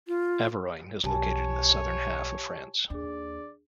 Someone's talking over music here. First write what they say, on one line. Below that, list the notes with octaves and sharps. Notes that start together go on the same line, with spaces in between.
Averoigne is located in the southern half of France.
F4
B1 G4 C#5 G#5 A5
D#2 D4 G#4 D5